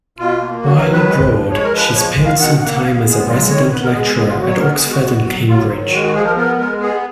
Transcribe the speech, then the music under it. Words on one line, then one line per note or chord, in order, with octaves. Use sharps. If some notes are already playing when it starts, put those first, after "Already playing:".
While abroad, she spent some time as a resident lecturer at Oxford and Cambridge.
B2 F4
A#3
F#3 F#4
A#4
D#3
B4
G#3
F3
G#3 C#5
A#4
F3 B4
G#3 C#5
D#3
F5
B2 F#5
A#3 F#5
F#5
B3 F5
G#3 G#4
F#3 F4
D#3 C#5
B3 B4
A#4
G#3 G#4
G#4
B3 G#4
F4
F#3 F#4
C#5
B3 A#4
G#4
G#3
F#4
B3
F#3
F#3 F4
D#3
G#3 F#4
F#4
F3 G#4
A#4
B3 A#4
G#3 A#4
B3 G#4